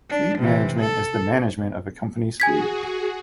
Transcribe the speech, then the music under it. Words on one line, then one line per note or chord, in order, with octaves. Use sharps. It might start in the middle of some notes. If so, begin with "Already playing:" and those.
Fleet management is the management of a company's fleet.
D4
C3 E3
A4
F#4 G#4 G#5 G#6 B6